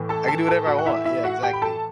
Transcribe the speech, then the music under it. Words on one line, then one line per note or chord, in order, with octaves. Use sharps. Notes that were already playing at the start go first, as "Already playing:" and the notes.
I can do whatever I want, yeah, exactly.
Already playing: A2 E3
A4 A5
A4 A5
A4 A5
F#4 F#5
F#5
E4 E5
E4 E5
F#4 F#5
G4 G5
B5
A4 A5